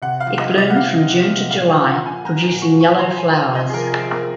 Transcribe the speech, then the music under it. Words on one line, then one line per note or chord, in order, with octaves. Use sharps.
It blooms from June to July producing yellow flowers.
C3 F#5
F5
F3
D#5
C3
D#5
F#5
C3 F5
C3
C3
A#2 F5
F5
F3
F#5
F3
G#5
F3 A#5
A#2
C#6
F3
C#6
F3 C6
G#5
F3
F5
C3
D#5
G#4
F3 A#4
G#4
F3
A#4